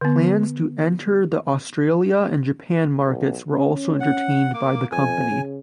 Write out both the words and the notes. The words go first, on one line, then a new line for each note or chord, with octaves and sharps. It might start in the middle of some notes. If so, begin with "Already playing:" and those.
Plans to enter the Australia and Japan markets were also entertained by the company.
D3 B3
B1
C#4
F#5
A#3 D6
F2 G#5
C#3